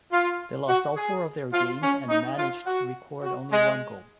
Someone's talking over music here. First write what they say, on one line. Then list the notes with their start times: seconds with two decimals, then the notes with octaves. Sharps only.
They lost all four of their games and managed to record only one goal.
0.12 F4
0.67 F#4
0.96 G#4
1.53 F4
1.82 C#4
2.09 D#4
2.37 F4
2.66 F#4
3.23 F#4
3.51 G#3